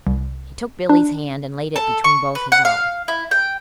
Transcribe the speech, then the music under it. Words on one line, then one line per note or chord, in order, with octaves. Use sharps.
He took Billie's hand and laid it between both his own.
C2
D4
A4
C#6
B4
F#5
F5
E4
G5